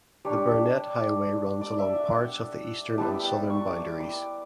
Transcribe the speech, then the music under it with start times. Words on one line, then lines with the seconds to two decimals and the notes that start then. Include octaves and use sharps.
The Burnett Highway runs along parts of the eastern and southern boundaries.
0.25 G3 D4 C#5
1.61 D5
1.78 E5
1.96 F#5
2.13 F#5
2.98 G3 B3 E4 A5
3.15 G5
3.50 C#6
3.67 D6
4.00 D6